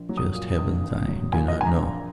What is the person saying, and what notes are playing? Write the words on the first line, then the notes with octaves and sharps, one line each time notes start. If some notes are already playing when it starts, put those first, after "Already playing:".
Just Heavens, I do not know.
Already playing: A#1
F#3
D#6
A#2
A#1
A#1
F#3
A#2 G#5
D#5
A#1 G#5
A#5
A#1